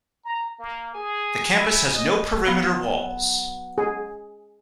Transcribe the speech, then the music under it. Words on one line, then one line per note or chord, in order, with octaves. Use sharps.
The campus has no perimeter walls.
A#5
A#3
G#4 G#5
E4
D#5
F#3 B3 F5
G#4